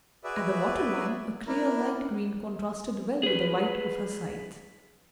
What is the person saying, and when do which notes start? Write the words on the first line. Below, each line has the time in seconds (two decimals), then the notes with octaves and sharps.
At the waterline, a clear light green contrasted well with the white of her sides.
0.24 F#4 G#4 B4 D5 E5
1.47 D4 E4 A#4
3.23 G#4 B4